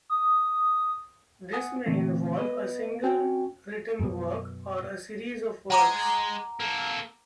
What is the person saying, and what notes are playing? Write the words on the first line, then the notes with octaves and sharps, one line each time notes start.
This may involve a single written work, or a series of works.
D#6
F#5 G#5 D#6
A#2 D3 E3 A3 C4
B3 B4 D#5
C4 C#4 F#4 G5 G#5
F#2 B2
G#3 F#5 A#5 D6
A#3 A4